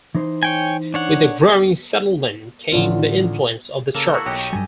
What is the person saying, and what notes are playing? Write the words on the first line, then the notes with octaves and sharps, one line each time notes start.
With the growing settlement came the influence of the Church.
E3 D#4 C5
C#5 G5 G#5
D4 C#5 F#5
A1 D3 F4
C#3 A#3 A4 E7
E4 F#4 E6
B1 G4 A4 C#5 D#5 F#5 G5
C#6
G2 F#3 G#5 D#7